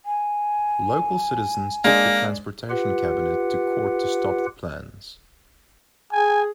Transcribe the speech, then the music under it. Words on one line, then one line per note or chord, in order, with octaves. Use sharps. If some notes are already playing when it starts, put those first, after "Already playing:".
Local citizens took the Transportation Cabinet to court to stop the plans.
G#5
G#3 A#3 D4
F4 G4 B4 F#5
G#4 G#5